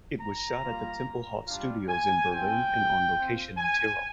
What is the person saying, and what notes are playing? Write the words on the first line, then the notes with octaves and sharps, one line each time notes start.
It was shot at the Tempelhof Studios in Berlin and on location in Tyrol.
A#5
G3 A#3 F4
G3 D4 F4
G#5
C4 F4 G5
C4 F4
G#5